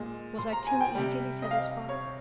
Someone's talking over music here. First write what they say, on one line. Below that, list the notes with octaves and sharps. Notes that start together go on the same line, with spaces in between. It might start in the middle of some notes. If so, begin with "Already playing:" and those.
Was I too easily satisfied?
Already playing: A#2 G#3
C6
A#5
G#5
G5
C3 G3
D#5
F5
C#5